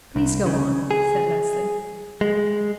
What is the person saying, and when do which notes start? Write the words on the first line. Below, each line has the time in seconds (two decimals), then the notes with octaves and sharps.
"Please, go on," said Leslie.
0.16 C2
0.46 C#3
0.91 G#4
2.21 G#3